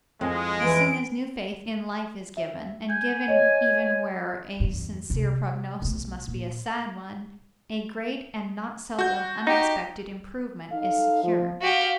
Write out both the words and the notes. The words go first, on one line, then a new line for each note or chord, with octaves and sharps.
As soon as new faith in life is given, and given even where a sincere prognosis must be a sad one, a great and not seldom unexpected improvement is secured.
F2 G#3
E3 D7
E5
G#5 G6
C#5 D#5
E2 G2
C3 D#4
B1 A3
A#2
F#4 G6
D#4 G4
D#4 A4 F5
F3
F#4 G4 F5